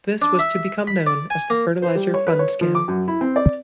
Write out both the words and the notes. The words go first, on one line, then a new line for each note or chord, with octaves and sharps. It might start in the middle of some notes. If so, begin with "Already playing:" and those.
This was to become known as the Fertilizer Fund scam.
D4
E5
B5
D5
G#5
A#3
C5
G3
C#5
B4
C#5
F3
D6
F#2
E4
C4
D5